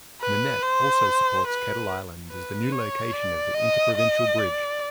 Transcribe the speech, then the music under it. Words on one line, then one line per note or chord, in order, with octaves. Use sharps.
Monette also supports Kettle Island as the new location of the Interprovincial Bridge.
B4
C5
B4
B4
C#5
D5
D#5
D#5
D5